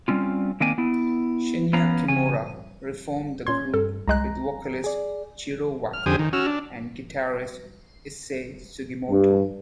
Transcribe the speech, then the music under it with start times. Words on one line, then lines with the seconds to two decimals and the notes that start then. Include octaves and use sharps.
Shinya Kimura re-formed the group with vocalist Jiro Waku and guitarist Issei Sugimoto.
0.08 G3 C4 C#4 F4
0.60 D#3 A#3 C4 D4 G5 G#5
0.78 B3 E4
1.73 B3 C#4 F5 A#5
2.08 C#3 C#4 G#5
3.47 A#2 C#4 C6 G#6
3.74 G2 A4
4.08 C2 G#3 A#5 F#6
4.84 G#4 D5
5.93 F6
6.06 F2 D3 G4 C5 G#5 D#6
6.19 D#3
6.33 C#4 F#4 E6 F6
6.47 D4
9.09 G2